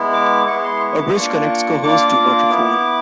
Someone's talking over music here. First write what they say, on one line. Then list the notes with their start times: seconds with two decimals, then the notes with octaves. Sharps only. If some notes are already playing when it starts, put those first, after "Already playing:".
A bridge connects Cohoes to Waterford.
Already playing: G#3 B3 E4
0.14 D6
0.47 G#3 B3 E4 C#6
0.64 C6
0.81 C#6
0.98 D6
1.15 A#3 D4 F4 C#6
1.82 A#3 D4 F4 D6
2.50 B3 E4